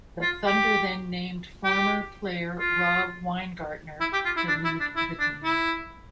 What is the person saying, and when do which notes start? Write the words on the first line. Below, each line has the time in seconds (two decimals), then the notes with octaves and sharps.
The Thunder then named former player Rob Weingartner to lead the team.
0.22 F4
0.46 G4
1.64 G4
2.59 F4
4.01 E4
4.13 G4
4.25 F4
4.37 E4
4.48 D4
4.65 E4
4.80 D4
4.96 E4
5.19 D4
5.44 E4